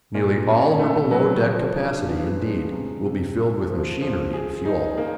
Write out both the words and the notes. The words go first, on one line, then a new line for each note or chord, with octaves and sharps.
Nearly all her below-deck capacity, indeed, will be filled with machinery and fuel.
A#2
C#4
A3
F#3
F3
D4
B3
G#3
C3
C3
A3
F3
F3
G#4
D#4
A#3